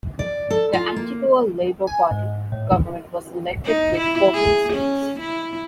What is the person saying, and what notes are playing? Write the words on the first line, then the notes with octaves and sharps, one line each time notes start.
The Antigua Labour Party government was elected with fourteen seats.
D5
A4
F4
A#3
G#5
G#2
A2
D#4
E4
G#4
C#4
E4